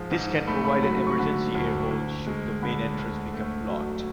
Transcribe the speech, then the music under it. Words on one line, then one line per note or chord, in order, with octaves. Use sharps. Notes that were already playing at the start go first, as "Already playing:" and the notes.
This can provide an emergency air hole should the main entrance become blocked.
Already playing: G#2 F3 G#3
G#2
A3 B5
B5
F#3 B5
C#6
D3 B5
D2
D2
G#3
D3 B5
D2
A3
F#3